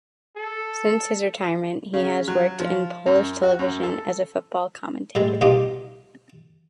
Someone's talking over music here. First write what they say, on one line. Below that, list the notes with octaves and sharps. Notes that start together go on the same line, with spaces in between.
Since his retirement, he has worked in Polish television as a football commentator.
A4
C#3
F#3
F3
F#2
F#4
F#2
A4
A2 G3 G#3
C2 B2 G3 D#4 F4 G4